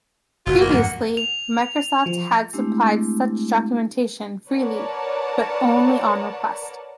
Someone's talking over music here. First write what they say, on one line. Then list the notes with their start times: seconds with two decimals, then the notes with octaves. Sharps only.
Previously, Microsoft had supplied such documentation freely but only on request.
0.46 F#1 B2 F4 F#4
0.61 A#3
0.73 F2 G#2 G#3 F#5
1.17 F7
2.06 F3
2.53 G#3 A3 C4 D4 E4 G4
4.49 A#4 B4 C#5 D5 F#5 A5